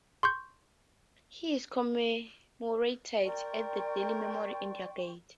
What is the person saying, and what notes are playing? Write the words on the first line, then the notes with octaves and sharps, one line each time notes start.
He is commemorated at the Delhi memorial India Gate.
C6 C#6 G6
A#4 D5 G5 C6 C#6